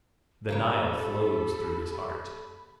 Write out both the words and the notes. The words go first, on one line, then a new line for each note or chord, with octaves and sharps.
The Nile flows through his heart.
C#3 A#3 G4 A4 C#5 B5